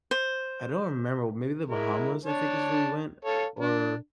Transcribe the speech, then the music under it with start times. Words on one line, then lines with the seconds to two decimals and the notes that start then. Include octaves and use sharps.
I don't remember, maybe the Bahamas, I think, is where we went, or
0.11 C5
1.67 G#3 E4 A#4
2.25 D4 C#5 A5
3.25 A4 C#5 F5
3.59 D4